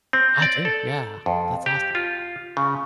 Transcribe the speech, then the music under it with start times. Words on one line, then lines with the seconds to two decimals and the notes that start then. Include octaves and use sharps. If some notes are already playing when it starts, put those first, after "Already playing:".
I do, yeah, that's awesome.
0.13 C4
0.42 D5
0.65 A4
1.26 F2
1.66 G4
1.95 F4
2.57 C#3